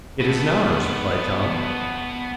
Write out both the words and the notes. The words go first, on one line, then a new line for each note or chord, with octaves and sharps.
"It isn't ours," replied Tom.
B3 A4